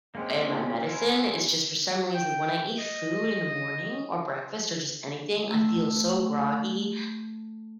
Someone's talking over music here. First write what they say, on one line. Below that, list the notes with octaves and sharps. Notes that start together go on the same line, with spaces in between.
and my medicine, it's just for some reason, when I eat food in the morning or breakfast or just anything, I feel so groggy
G#3 A#3 C4 C#4 G4
E4 F#4 A#4 C5 G#5
G5
D#5
A3 E6